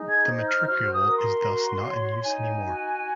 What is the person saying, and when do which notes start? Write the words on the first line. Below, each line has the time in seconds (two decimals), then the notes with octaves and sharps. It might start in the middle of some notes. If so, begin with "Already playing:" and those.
The matricule is thus not in use anymore.
Already playing: D#4 G#4
0.09 G#6
0.29 C5
0.48 F6
0.68 F#4 F6
0.94 D#6
1.07 A#4
1.19 C6
1.46 F#4
1.85 C#5
2.24 D#4 G#5
2.63 F#4